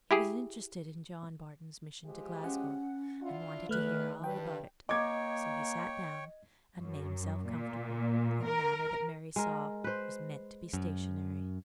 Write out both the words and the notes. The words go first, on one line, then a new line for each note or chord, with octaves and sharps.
He was interested in John Barton's mission to Glasgow, and wanted to hear all about it; so he sat down, and made himself comfortable, in a manner that Mary saw was meant to be stationary.
E4 G4 G#4
F3 G#3 G4
C#4 F#5
D4 E4 F4
E2 D#3 A3 B4 F6 F#6
G2 B4 G5
A#3 C#5 D#5 G5 D6 G#6
F#2
A#2
A#4
G#3 A#4
B4 C5
F#2